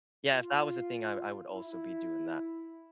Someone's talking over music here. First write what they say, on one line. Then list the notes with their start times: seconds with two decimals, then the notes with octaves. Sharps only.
Yeah, if that was the thing, I would I would also be doing that,
0.32 F4
1.52 E4